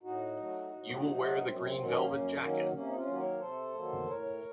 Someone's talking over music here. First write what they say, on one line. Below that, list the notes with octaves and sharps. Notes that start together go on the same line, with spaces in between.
You will wear the green velvet jacket?
A2 D#4 F#4
F#3 A3
A2
F#3 A3
F#2 C4
C4
D#3 F#3 A#3
A#3 C#4
F#2
D#3 F#3 A#3
C3 A#3 C#4
D#4
C#4 F4
D#3 F#3 A#3
A#4 C#5
C3 A4 C5
D#3 F#3 A#3
A2 A#4 C#5